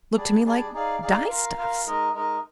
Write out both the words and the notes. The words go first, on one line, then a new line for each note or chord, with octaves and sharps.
Look to me like dyestuffs.
G3 D4 G#4 D5
G3 D4 G#4 D5
D#4 G#4 D5 F5
D#4 G#4 D5 F5
F4 A#4 F5
F4 A#4 F5
G#3 D#4 A#4 D#5
G#3 D#4 A#4 D#5